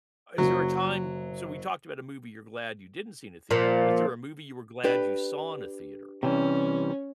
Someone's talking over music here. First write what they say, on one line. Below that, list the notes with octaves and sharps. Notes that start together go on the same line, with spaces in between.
Is there a time so we talked about a movie you're glad you didn't see in a theater. Was there a movie you were glad you saw in a theater
F#1 F#3
A#2 F3
D4 G4 B4
C3 E3 G3 C#4